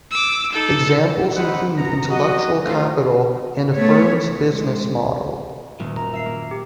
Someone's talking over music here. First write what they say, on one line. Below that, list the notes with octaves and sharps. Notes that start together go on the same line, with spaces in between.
Examples include intellectual capital and a firm's business model.
D6 E6
D#4 A4
E3 G#3 C4 D#4 B4 F#5
F#2 B3 A#5
F#3 F#4 D#5
D3 E3 F3 A3 C#4 F4
A3 B3 C#5
E3
G#3
D#1 F#2 A#2 F#3
A#5
E5 F5 C7
A#3
G4